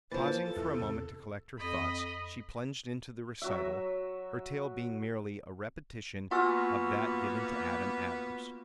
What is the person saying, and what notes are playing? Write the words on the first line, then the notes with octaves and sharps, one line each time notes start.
Pausing for a moment to collect her thoughts, she plunged into the recital, her tale being merely a repetition of that given to Adam Adams.
E3 F3 A#3 C5 A6
F3
A4
E2 E4
C3
F2 D#5 B5
F#3 F#4 E5
A#3 B3 F4 F#4 F#5 G#5 E6 F6